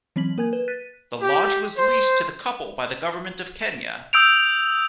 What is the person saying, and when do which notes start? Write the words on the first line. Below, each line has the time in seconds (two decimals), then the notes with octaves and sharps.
The lodge was leased to the couple by the government of Kenya.
0.16 E3 F#3 C4 B6 F#7
0.38 A#3 A#4 G#5 G#6
0.53 B4
0.68 F#6 A6 B6 D#7
1.22 G4
1.76 C5
4.13 D#6 E6 G6 D7 F7